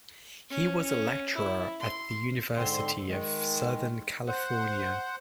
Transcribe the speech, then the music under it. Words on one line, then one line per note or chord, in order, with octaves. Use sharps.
He was a lecturer at the University of Southern California.
C#4
C#4
E4
C6
G#2 D3 C4 C6
D#3 G#3
C5 F#5